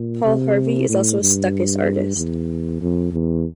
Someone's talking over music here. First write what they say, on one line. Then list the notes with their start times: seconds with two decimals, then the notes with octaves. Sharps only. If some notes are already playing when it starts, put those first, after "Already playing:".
Paul Harvey is also a Stuckist artist.
Already playing: A#2
0.24 C3
0.89 A2
1.21 G2
2.16 E2
2.81 F2
3.12 E2